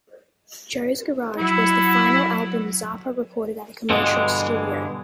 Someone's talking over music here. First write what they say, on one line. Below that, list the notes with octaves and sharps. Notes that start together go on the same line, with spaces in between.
"Joe's Garage" was the final album Zappa recorded at a commercial studio.
F#3 E4
G2 B2 D3 E3 G#3